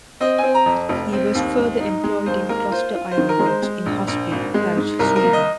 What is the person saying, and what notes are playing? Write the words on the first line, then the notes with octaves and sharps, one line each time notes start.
He was further employed in Kloster Iron works in Husby parish, Sweden.
C4 D#5
C4 G#5
A#5
F2
F1
C4
D#2
G#2
D#4
G#3
D#2 C5
A#3 A#4
F4 C5
F4
C5
D#3
A#4
G#3
C5
G#3
A#1
A#1
G#1
G#3
G#2
C2 A#4
A#4
A#3
D#5